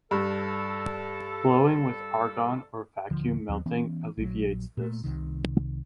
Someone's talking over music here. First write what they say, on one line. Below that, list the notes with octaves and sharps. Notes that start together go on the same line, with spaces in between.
Blowing with argon or vacuum melting alleviates this.
G2 A4
D#1 D3 F3
D#2 F#3 C4
E3 B3 C#4
A#1 F#3
A#2 A3
C2 C3 D#3